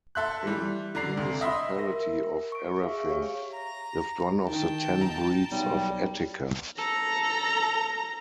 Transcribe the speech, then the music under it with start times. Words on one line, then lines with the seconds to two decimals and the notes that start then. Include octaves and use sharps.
In municipality of Arafin, lived one of the ten breeds of Attica.
0.15 A4 E5 C6 F#6
0.43 E3 G3
0.95 D3 D5 A#5 C7
1.17 C#2 C3
1.41 D#5 E5 B5 C6
1.78 A#4 E5 A#6
2.52 C#6 D7
2.84 G#4 E5 F5
3.09 G4 C#5 F5 C#6
3.52 A#5
4.48 D#3 G5 A5
5.01 A#5
5.51 B1 G3
6.79 A4 A#5